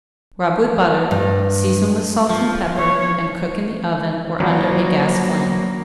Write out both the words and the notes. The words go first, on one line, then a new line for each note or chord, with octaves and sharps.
Rub with butter, season with salt and pepper, and cook in the oven or under a gas flame.
G2
F3
C#5
G#1 F3 F#3 A#3